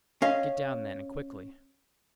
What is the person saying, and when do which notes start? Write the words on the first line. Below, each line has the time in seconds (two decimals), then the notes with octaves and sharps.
"Get down then and quickly."
0.22 C#4 D#5 F5